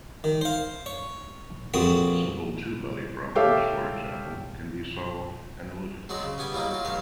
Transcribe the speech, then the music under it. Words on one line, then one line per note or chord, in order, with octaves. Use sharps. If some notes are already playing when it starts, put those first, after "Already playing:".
Simple two-body problems, for example, can be solved analytically.
D#3
C5 F5
C#5
A#1 F2 C4 F#4 D#6
G4 A4 C#5 E5 F5 G5
F#3 G#3 C4 D5
C#3
G3 B3 G#5 D6
E2 F#3 G3 A#3 D#4
F#3 F4
B1 G2 F#3 A3 F5